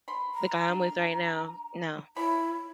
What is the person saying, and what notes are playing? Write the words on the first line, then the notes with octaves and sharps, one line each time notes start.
the guy I'm with right now, no.,
B5 C6
A#5
D4
E4 C#5 E5 B5